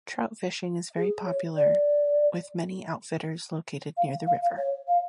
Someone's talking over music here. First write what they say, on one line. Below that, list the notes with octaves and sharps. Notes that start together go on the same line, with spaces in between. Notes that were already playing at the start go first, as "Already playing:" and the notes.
Trout fishing is very popular with many outfitters located near the river.
G#4
C#5
D5
F5
F5
F5
C#5
F5